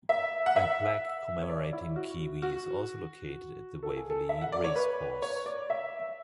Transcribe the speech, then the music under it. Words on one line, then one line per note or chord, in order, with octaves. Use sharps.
A plaque commemorating Kiwi is also located at the Waverley Racecourse.
E5
F#5
E5
C#5
D5
E4
F#4
F#4
A4
G#4
A4
E5
F#5
D5
C#5
B4
C#5
D5
E5